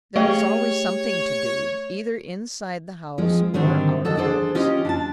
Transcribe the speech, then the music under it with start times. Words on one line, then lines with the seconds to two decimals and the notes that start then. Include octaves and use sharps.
There was always something to do, either inside the house or out-of-doors.
0.16 A3 G4 G#4 C#5 D#5
3.18 F3 G#3 C4
3.54 G#2 D3 D#3 C4 D4 G4
4.05 F#3 A4 D#5 F#5
4.17 D4 G#4 A4 C5
4.55 C#4 F4 G4 D#5
4.85 D4 G5 A5